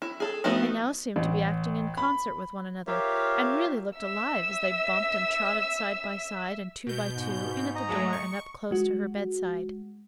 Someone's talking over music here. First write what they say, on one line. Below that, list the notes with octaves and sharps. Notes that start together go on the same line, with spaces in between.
They now seemed to be acting in concert with one another, and really looked alive as they bumped and trotted side by side, and two by two, in at the door and up close to her bedside.
E4
G#4 A4
F3 A3 B3 D#4 F#4
A1
B5
F4 G4 A#4 C#5 E5 F5
E5 E6
B2 G6
G#2
D#5 A#5
F#3 G#3 A3
C#6
G#3 F#4